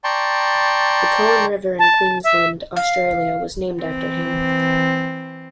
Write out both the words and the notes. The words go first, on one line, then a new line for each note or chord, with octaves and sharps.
The Coen River in Queensland, Australia was named after him.
D5 G5 A5 A#5 C6 C#6
A5
E5
F5
E3 C4